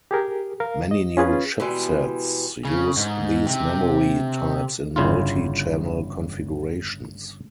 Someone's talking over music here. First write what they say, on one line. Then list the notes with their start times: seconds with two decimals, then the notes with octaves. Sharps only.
Many new chipsets use these memory types in multi-channel configurations.
0.11 G4 G#4 A#4
0.60 A#4 F5
0.91 D#5
1.17 C#4 F4 G#4 B4
1.60 B2 E3 G3 G#3
2.65 C#3
2.97 G#2
3.47 C3
4.96 G1 C#3 E4 F4